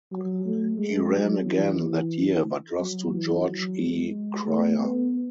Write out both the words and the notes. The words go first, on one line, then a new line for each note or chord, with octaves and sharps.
He ran again that year but lost to George E. Cryer.
F#3
A3
G#3
F#3
E3
F#3
E3
F#3
G#3
A3
B3